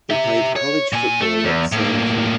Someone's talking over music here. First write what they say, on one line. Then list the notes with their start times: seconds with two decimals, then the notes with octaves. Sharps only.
He played college football at Samford.
0.10 G4 E5
0.56 C#5
0.93 A#2 G#5
1.20 A3
1.44 E2
1.72 A2 A#3